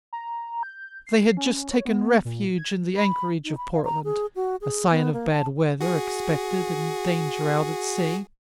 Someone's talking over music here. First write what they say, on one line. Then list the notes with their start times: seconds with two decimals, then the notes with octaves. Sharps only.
They had just taken refuge in the anchorage of Portland--a sign of bad weather expected and danger out at sea.
0.13 A#5
0.63 G6
1.07 C7
1.37 C#4
1.71 C#5
1.85 B3
2.25 A#2
2.57 G#6
2.97 B5
3.45 D#4
3.57 B5
3.72 F5
3.85 A#5
4.05 G#4
4.36 F#4
4.61 G#4
4.90 B3
5.13 A#3
5.31 A5
5.80 F#4 G#4